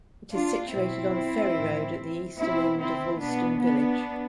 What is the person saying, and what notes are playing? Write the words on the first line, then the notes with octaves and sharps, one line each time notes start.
It is situated on Ferry Road at the eastern end of Woolston Village.
D4 F4
B2 C4 E4
A2 E3
B2 C4 E4
C4 E4
B2 B3 D4
B3 D4